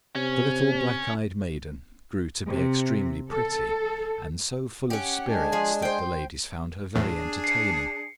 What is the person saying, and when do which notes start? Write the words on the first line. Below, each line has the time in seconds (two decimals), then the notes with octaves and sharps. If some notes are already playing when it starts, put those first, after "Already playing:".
The little black-eyed maiden grew to be extremely pretty, and so full of spirits that the ladies found her very entertaining.
0.16 C3 C#4
2.50 C3
3.30 A4
4.90 C#4 G4 F#5
5.27 G#3 D4 G#5
5.52 F3 G#4
5.82 C5 G5
6.96 E2 A2 D4 G#4
7.44 C7 C#7